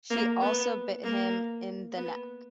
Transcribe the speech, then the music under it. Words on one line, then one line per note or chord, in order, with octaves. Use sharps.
She also bit him in the neck.
A#3
B3
A#3
B3